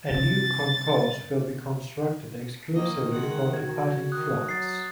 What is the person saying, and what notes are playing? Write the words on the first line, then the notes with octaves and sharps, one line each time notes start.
A new concourse will be constructed exclusively for departing flights.
G2 C3 A6
D#3 A#3 D#5
G#3 F#5
F#4 G#6
D#3 D#6 F#6
F#3 A6 C7